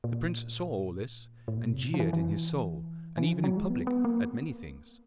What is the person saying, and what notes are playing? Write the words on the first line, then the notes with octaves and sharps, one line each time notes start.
The prince saw all this, and jeered in his soul and even in public at many things.
A#2
A2
A#2
B2
C3
B2
F3
E3
E3
E3
F3
F#3
G#3
B3
B3
A#3